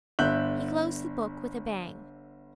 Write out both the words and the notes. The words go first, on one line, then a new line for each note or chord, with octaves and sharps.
He closed the book with a bang.
G1 D3 E5 F#6 G6 F#7